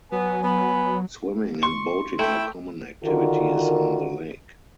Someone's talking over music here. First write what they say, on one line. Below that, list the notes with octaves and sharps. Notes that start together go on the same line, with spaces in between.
Swimming and boating are common activities on the lake.
F#3 B3 G#5
B3 B5
C6 C#6
A3 E4 E5 G5
D3 D#3 D4 F4 F#4 A#4